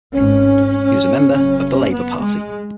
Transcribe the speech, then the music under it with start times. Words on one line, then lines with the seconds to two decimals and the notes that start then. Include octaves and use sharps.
He was a member of the Labour Party.
0.14 G#1 G#2 C#4
1.33 F#1 F#2 C#3 C#4
1.92 B3
2.22 G#3